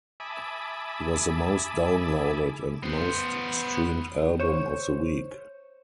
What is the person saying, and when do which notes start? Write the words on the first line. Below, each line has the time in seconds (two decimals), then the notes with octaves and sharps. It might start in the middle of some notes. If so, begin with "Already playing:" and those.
It was the most downloaded and most streamed album of the week.
0.20 E5 G#5 A5 B5 D6 D#6
2.83 B3 C5
4.40 C5 C#5